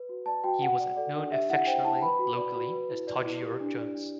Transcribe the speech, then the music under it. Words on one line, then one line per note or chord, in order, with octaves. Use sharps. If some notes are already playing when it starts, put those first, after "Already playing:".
He was known affectionately locally as 'Todger' Jones.
Already playing: B4
F#4
D5 A5
F#4 G5
F#4 F#5
D5
A4 D5
D4
G4 E5
E4 F#5
C5 G5
E4 A5
B4 B5
F#4
D5
F#4
B4
E4
D5
E4
G4
D4
D5
D4